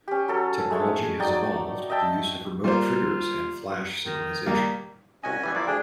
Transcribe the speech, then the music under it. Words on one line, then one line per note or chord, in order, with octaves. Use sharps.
Technology has evolved with the use of remote triggers and flash synchronization.
C#4 G4
F#3 A4 C#5
G#3 A3 C#5
F#3 D#4 D5 G5
D#5 E5 G5 A5
G3 A#3 F4 C5
D#3
D#3 G3 A#3
C2 C#4 F#4 D#5 G#5
E3 G3 B3
F3 A#3 E4 D5
D2 D4 G#4 G5